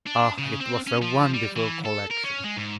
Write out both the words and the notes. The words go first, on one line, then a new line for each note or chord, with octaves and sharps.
Ah! it was a wonderful collection.
D4
C#3
C4
C#4
F3
G3
E3
A4
A#4
C#4
G#3
G#2